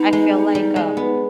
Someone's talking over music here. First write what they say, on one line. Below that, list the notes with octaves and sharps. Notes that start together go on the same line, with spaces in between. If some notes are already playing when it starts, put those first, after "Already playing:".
I feel like, um
Already playing: B3 D#4
G#3
G3
G#3
B3